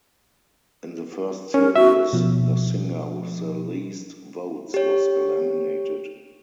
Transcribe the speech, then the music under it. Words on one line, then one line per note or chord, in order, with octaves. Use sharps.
In the first series, the singer with the least votes was eliminated.
C#4 A#4
F#4 E5
B2 F3
G4 C#5